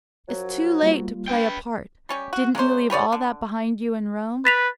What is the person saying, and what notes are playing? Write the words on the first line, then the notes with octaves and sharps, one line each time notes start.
It's too late to play a part; didn't you leave all that behind you in Rome?
F#2 F3 F#3
G3 A#3 F4
B4 G5
G3 C#4 G4
F#4
G#3 A#3 C#4 C5
G4 B4 C#5 D5
D3
B4 A6 B6 F7